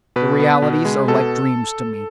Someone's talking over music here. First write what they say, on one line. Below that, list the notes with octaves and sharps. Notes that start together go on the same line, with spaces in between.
The realities are like dreams to me.
B2 B4
B3
B2
G#3
B2 A4